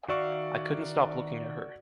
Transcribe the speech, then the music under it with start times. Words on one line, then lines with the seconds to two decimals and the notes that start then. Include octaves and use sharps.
I couldn’t stop looking at her.
0.08 D#3 F#4 D5 E5 F5 C#6